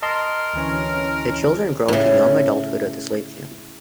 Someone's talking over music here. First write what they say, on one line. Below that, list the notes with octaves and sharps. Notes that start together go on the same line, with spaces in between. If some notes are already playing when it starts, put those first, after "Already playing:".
The children grow to young adulthood at the slave camp.
A#4 D#5 A5 C6
D2 E3 C#4
A2 C#3